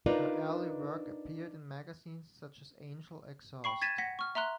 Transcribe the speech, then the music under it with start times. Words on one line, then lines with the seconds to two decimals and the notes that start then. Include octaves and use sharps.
Her early work appeared in magazines such as Angel Exhaust.
0.06 D4 D#4 F4 A#4 B4 D5
3.64 G5 B5 C#6 C7
3.82 G#6 A6 B6 D#7 E7
3.98 F#5 A#6 B6
4.19 C#6 F6
4.35 E5 A#5 C6 F#6